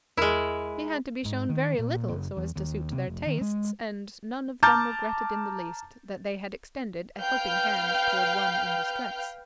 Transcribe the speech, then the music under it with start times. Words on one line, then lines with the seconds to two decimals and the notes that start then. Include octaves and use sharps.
He had to be shown very little so as to suit their tastes; and none of them regretted in the least that they had extended a helping hand toward one in distress.
0.17 E2 G#3 E4 A#4 F6
1.25 G#2
1.49 D#3
1.79 A#2
2.08 F#1
2.37 E2
2.56 D#2
2.92 C3
3.08 F1
3.26 D#3
3.41 G#3
4.63 A5 A#5 D6 F6 G6 A6
7.20 B4 F5 G5 F6 G6